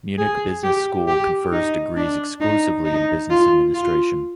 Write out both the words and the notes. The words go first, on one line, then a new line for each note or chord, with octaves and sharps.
Munich Business School confers degrees exclusively in business administration.
G#4
G4
G4
D#4
D4
D#4
D#4
F4
F4